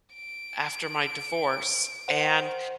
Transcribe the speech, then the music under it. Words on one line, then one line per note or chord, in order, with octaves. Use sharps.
after my divorce. And,
D7
C5 F#5